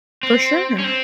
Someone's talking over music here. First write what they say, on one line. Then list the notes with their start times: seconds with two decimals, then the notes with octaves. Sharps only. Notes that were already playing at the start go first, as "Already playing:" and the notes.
For sure.
0.23 C4
0.79 C#4
0.84 C4